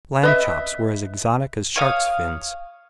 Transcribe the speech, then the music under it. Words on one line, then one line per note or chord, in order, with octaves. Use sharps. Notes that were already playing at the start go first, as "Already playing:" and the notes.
Lamb chops were as exotic as sharks' fins.
B4 D#5 E5
C#5 F5 D#6